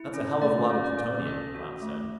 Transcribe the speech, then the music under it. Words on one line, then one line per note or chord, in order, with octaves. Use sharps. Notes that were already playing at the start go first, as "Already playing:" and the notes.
"That's a hell of a lot of plutonium," Blount said.
Already playing: E4
C#4
A3 D5
C#4
D5
C#4
A4 D#5
F#4
A3